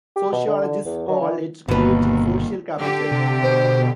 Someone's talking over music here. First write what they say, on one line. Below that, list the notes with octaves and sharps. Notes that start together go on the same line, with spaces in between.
Sociologists call it 'creating social capital.
G4
B2
D3
D3
E2
F#3
E3
G1 D#2 B2 B4
D3 G4
C3
B2 C5